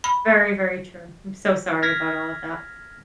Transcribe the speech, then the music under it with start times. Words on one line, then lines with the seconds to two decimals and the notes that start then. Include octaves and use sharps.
Very, very true. I'm so sorry about all of that.
0.04 B5
1.82 F6 G#6 A#6 B6